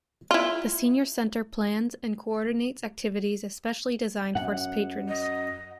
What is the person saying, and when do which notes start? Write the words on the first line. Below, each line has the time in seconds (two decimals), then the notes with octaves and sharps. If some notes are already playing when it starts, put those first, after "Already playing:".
The Senior Center plans and coordinates activities especially designed for its patrons.
0.31 E4 F4
4.35 F#2 F#5
5.08 D#5